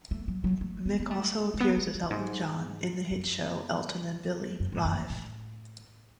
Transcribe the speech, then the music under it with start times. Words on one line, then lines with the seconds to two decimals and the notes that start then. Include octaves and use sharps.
Mick also appears as 'Elton John' in the hit show, Elton and Billy: Live.
0.11 A3
0.28 F#3
0.44 F#3
0.61 A3
0.85 B3
1.00 B3
1.11 A3
1.54 A3
1.60 B3
1.77 G#3
1.94 F#3
2.03 F#2
2.11 G#2
3.11 F#2
4.60 F#2
4.72 G#2
4.85 F#2
5.10 A2